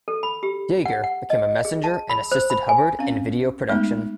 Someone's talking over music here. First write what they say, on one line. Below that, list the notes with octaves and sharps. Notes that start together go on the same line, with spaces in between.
Yager became a messenger and assisted Hubbard in video production.
A4
B5
G4
F#5
F#5
D#5
G#4
A5
B5
C5
B5
G#5
C4 C#4 F5
G#3 A3 B3 D#4